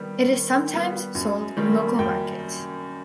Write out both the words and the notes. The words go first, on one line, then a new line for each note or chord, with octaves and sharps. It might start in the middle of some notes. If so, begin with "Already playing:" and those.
It is sometimes sold in local markets.
Already playing: D#3 G3 B3
D#3
G3 B3
F#2
D#3 G3 A#3
F#2 G5